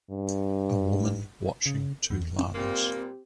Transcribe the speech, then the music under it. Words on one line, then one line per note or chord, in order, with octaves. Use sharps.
A woman watching two lamas.
G2
C#3
E2
A#2 G3 A#3 C4 G4